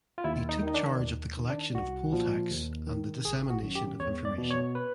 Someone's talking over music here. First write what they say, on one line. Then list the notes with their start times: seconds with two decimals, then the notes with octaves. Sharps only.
He took charge of the collection of poll tax and the dissemination of information.
0.18 F4
0.24 D#2 E4
0.49 D#4
0.62 D#3 D#4
0.74 D4
0.99 D#2
1.37 D#3
1.50 D4
1.74 C2 F#4
2.12 A#2 F3
2.50 D#2
2.87 D#3
3.25 G#1 G#4
3.50 F#4
3.62 F#2 D#3
3.75 G4
4.00 E2 C#5
4.25 D5
4.38 B2
4.51 C#5
4.75 B4